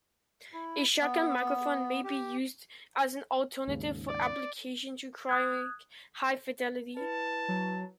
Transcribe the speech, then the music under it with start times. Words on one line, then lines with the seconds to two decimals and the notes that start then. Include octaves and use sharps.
A shotgun microphone may be used as an alternative for applications requiring high fidelity.
0.53 E4
1.01 B3
2.04 G4
3.68 D#2 G#2 C#3
4.09 D5
5.29 D#6 F#6 G#6
6.97 E4 B4 A5
7.48 F#3